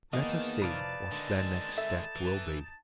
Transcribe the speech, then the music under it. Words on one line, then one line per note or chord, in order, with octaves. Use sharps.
Let us see what their next step will be.
E2 D#3 A#3 B3 D#4 G#4 D#5 A5
F2 C3 B4 D5 F5
D3 D#3 G#3
A4 E5
E3